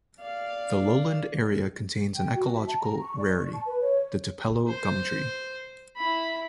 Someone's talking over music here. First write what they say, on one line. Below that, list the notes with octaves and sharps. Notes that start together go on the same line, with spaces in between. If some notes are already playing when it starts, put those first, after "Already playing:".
The lowland area contains an ecological rarity: the tupelo gum tree.
D5 F5
G5
F#4
E5
A5
A#5
C#6
D5
C#6
A5
B4
C#5
C5
E4 B5